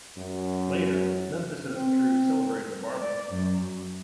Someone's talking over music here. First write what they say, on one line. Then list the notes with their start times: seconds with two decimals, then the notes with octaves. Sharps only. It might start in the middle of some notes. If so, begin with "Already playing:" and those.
Later, Memphis and his crew celebrate at a barbeque.
0.17 F#2
1.67 C4
3.01 D5
3.32 F#2